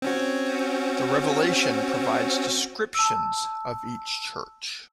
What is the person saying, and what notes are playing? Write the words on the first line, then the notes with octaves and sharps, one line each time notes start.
The Revelation provides descriptions of each Church.
C4 C#4 F#4
A5 E6